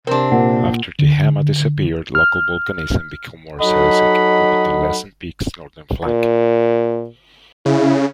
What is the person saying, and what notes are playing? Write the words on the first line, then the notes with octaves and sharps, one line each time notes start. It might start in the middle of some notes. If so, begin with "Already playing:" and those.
After Tehama disappeared, local volcanism became more silicic, moving to Lassen Peak's northern flank.
C3 C4 D4 A#4 A#5 C6
A#2 F#5
D3
F6
F#3 D#4 A4 D#5 F#5 B5
A#2
C#3 E4